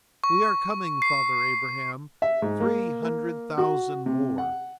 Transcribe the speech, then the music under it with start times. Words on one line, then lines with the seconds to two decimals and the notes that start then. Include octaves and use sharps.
"We are coming, Father Abraham; Three hundred thousand more."
0.24 C#6
1.02 C7
2.22 E5
2.42 G#2
2.60 A#3
3.02 A#3
3.58 F#4
4.06 C3
4.38 F#5